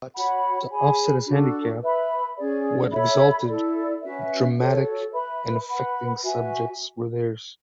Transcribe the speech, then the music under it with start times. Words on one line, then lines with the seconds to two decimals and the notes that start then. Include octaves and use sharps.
But, to offset this handicap, what exalted, dramatic, and affecting subjects were theirs!
0.15 F#4 C#5 F#5 B5
0.71 G#4 C#5 G#5 B5
1.26 D4 F#4 A4
1.82 B4 E5 B5
2.37 C#4 G#4 D5
2.92 A4 C#5 E5 B5
3.47 E4 A4 D5
4.02 C#4 F#4 B4 E5
4.58 F#4 A4 C#5
5.13 B4 E5 B5
5.68 B4 F#5 B5
6.23 F#4 B4 E5 G#5